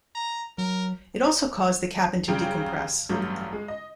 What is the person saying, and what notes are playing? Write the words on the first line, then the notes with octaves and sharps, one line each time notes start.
It also caused the cabin to decompress.
A#5
F#3 A#4
F#2 C#3 G3 G5 D7
A1 G2 F#3 A3 G4
G#3
D#5